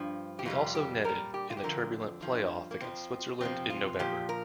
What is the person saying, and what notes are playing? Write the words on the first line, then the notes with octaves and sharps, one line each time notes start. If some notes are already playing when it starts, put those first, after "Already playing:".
He also netted in the turbulent playoff against Switzerland, in November.
Already playing: G2 F3
G4
F2 C3 G3 F4
G4
A#2 G3 A#4
G4
F4
G4
F2 D3 F3 A#4
G2 F3
A#3
F2 F3 C4
F2 C3 F3 C4
F4
A#2 F3 G4
A#4